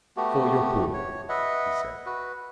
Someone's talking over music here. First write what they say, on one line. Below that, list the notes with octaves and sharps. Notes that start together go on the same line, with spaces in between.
"For your poor," he said.
A3 B3 F#4 G4
C#5
B4 D#5 E5 F#5
F#4 B4